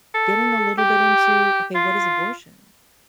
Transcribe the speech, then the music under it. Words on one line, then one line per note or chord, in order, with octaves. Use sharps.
getting a little bit into, "Okay, what is abortion?"
A4
G4
F4